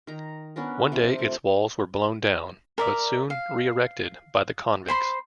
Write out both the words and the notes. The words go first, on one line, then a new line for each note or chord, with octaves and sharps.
One day its walls were blown down, but soon re-erected by the convicts.
D#3 A#5
B3 C#4 D4 A#4
C3 F3 G5
A3
A#4 D5 E5
F5
C5 B5 C6